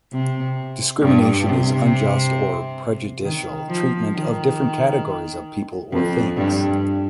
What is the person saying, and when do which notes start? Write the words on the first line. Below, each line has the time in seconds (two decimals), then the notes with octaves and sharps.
Discrimination is unjust or prejudicial treatment of different categories of people or things.
0.12 C3
1.01 G2
1.46 C3
3.24 D#3
3.69 F3
4.14 D#3
5.92 F2
6.36 G2